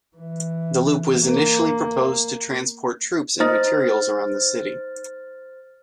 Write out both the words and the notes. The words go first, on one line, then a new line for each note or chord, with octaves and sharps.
The loop was initially proposed to transport troops and materials around the city.
E3
A#3
D#4 C5 F6 A6